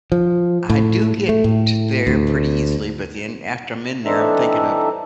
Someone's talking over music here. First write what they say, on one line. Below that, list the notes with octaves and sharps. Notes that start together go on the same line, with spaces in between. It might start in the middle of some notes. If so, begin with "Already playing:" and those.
I do get to there pretty easily, but then after I'm in there, I'm thinking of
F3
A2
A3
A2
D2
E3 C4 D4 D#4 A4 E5